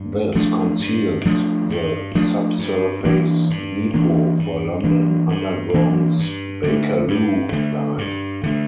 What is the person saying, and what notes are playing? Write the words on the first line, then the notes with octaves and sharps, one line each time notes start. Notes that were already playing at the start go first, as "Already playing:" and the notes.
This conceals the subsurface depot for London Underground's Bakerloo line.
Already playing: G2
F3 A3 D4
G2
F3 A3 D4
G2
F3 A3 D4
G2
E3 A#3 D4
G2
E3 A#3 D4
G2
E3 A#3 D4
G2
E3 A#3 D4
G2
D3 A3
G2
D3 A3
G2
D3 A3